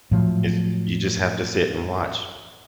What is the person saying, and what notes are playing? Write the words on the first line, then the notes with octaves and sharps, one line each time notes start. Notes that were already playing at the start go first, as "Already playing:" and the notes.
It's j you just have to sit and watch.
A2 F3 F#3